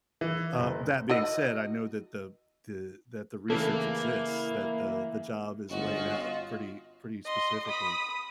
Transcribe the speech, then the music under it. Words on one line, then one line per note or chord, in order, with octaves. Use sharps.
Uh, that being said, I know that the the that the research exists, that the the job is laid out pretty pretty specifically.
E3
F#1
E4 F#4 D#5
C#3 E3 A3 A#3 E4 A4
G1 C#4 F4 F#4 D#5
D#5 C6
B5 D#6